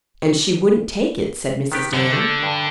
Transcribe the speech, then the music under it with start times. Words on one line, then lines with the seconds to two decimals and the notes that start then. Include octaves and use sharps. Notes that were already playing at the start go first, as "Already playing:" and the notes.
"And she wouldn't take it," said Mrs. Dale.
1.72 D#3 B3 G4
1.93 F#2 D3
2.13 A3 A4
2.43 G2